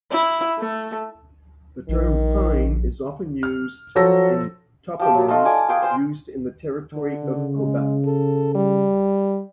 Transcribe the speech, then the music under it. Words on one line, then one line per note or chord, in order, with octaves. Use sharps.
The term "pine" is often used in toponyms used in the territory of Quebec.
E4
A3
A#1 D#3
F6
F3 F#3 A4 A#6
F3 G4 E5
F#3
A3 D#4 F4 A4
D5 G#5
F4 G#4 G5 D6
C5 G#5
D3
C#3
G#3
A4
G3